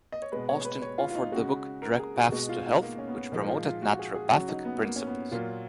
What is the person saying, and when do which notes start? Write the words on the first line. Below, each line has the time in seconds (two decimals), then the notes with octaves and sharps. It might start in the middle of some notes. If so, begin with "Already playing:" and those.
Austin authored the book "Direct Paths to Health" which promoted naturopathic principles.
0.12 D#5
0.22 C#5
0.32 B2 G#3 B4
0.49 C#5
0.65 B4
0.82 C#5
0.98 F4
1.10 F4
1.15 D#4
1.32 C#3 G#3 F#4
1.82 A#4
1.99 G#4
2.16 F#4
2.32 B2 G#3 F#4
2.49 F4
2.66 D#4
2.83 A#3
2.98 C#4
3.08 B3
3.32 A#2 F3 G#3 D#4
3.48 F4
3.65 F4
3.82 F#4
3.99 G#4
4.15 G#4
4.31 C#3 F#3 F#4
4.48 D#4
4.65 B3
4.83 A#3
4.96 C#4
5.07 B3
5.32 A#2 F#3 F4